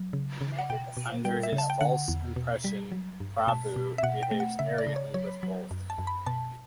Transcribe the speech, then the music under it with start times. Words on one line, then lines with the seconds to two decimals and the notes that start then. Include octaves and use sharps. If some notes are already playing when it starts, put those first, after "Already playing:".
Under his false impression Prabhu behaves arrogantly with both.
Already playing: F#3
0.13 C#3
0.41 C#3
0.59 F#5
0.70 B2 G5
0.97 B2
1.25 G3 G5
1.43 E5
1.53 C#3
1.58 A5
1.70 G5
1.81 D3 F#5
2.08 E2
2.36 B2
2.64 G3
2.92 F#3
3.20 G2
3.47 B2 A5
3.76 B2
3.98 E5
4.03 B2 F#5
4.23 G5
4.31 A3
4.40 F#5
4.59 C#3 E5
4.78 D5
4.87 C#3
4.96 C#5
5.14 F#3 C#5
5.43 F#3
5.71 F#2
5.90 A5
5.98 F#2
6.07 B5
6.26 B2 A5